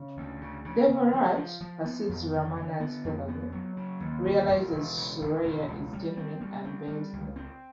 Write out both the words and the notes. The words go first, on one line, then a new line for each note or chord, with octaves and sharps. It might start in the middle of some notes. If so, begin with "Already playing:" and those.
Devaraj perceives Ramana's felony, realises Surya is genuine and bails him.
Already playing: C#3
D2
C#3
C#3
C#3
F3
F3
F3
B3
F2
D3
D3
B3
F2
B3
F#3
C#3
D#2
E1
E1
E1
C#3
E1
E1
C#2
G3
C4
G3
C4
G3
C#2
C4